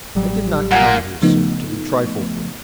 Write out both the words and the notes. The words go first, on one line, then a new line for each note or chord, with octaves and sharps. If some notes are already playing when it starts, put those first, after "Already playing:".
"I did not come here, sir, to be trifled with."
A1 F#3 G3
A#2 A#3 F#5 G#5
C#3 F3 A3 B3 D#4